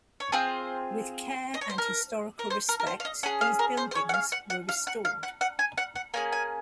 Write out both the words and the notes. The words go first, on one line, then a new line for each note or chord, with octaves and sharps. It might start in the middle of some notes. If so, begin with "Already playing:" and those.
With care and historical respect these buildings were restored.
C#5
C4 F4 G#4 C5
D#5
C#5
C5
A#4
A#4
C5
A#4
A#4
C5
F5
D#5
C#4 G#4 F#5
F5
A#4
C5
C5
C#5
F#5
F5
F#5
F#5
F5
F#5
F5
F#5
F#5
G#5
F#5
F#5
A#3 C#4 G#4 G#5
G#5